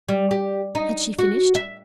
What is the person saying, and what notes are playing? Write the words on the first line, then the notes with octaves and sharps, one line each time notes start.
Had she finished?
G3
G4
D#4
F#4
E5